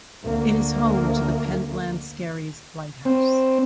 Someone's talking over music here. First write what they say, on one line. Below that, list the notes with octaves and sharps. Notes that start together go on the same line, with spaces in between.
It is home to the Pentland Skerries Lighthouse.
D2 A#3
C4